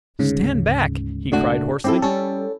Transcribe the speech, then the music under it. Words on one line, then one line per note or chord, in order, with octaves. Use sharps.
"Stand back!" he cried, hoarsely.
D2 G#2 C#3
A3 D4 F#4
C4 E4 G4 A4
G3 C#4 A4